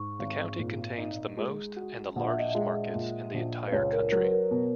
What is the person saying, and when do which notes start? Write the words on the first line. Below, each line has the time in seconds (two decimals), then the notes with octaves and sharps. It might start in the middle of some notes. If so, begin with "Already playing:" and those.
The county contains the most and the largest markets in the entire country.
Already playing: G#2 C#6
0.19 G#1
0.59 A#2
0.98 D#4
1.37 G#3
1.76 F#4
2.16 A#1 F#5
2.27 E5
2.39 D#5
2.50 G#3 E5
2.94 A#2
3.34 A#1
3.67 B4
3.72 C#2 C#5
3.93 A#4
4.12 F#3 A#4
4.24 B4
4.32 A#4
4.51 B2